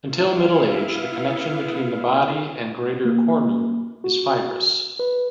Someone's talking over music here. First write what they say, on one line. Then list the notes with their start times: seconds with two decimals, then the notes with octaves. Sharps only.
Until middle age the connection between the body and greater cornu is fibrous.
0.12 B3 E4 F5
3.05 A#3
4.04 F#4
4.99 B4